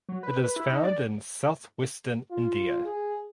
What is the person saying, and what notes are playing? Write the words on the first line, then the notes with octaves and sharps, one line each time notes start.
It is found in southwestern India.
F#3
B4
B4
E4
D#4
D5
F4
G#4